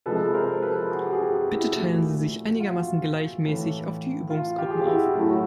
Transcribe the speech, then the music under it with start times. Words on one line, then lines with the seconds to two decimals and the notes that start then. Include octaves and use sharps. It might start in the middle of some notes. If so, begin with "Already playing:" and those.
Bitte teilen Sie sich einigermaßen gleichmäßig auf die Übungsgruppen auf.
0.06 C3 F3 G#3 A4 B4
0.34 A#4 C5
0.62 A4 B4
0.90 F#4 G#4
1.06 G4
1.12 F#4 G#4
1.54 E4 F#4
1.76 A#2 F3 A3
2.56 F#4
2.60 F4
3.46 A2 E3 A3
4.30 F4
4.58 F4 G4
4.71 G#4
4.79 G4
4.87 E4 F#4
5.15 A2 F#3 A3 E4
5.31 F#4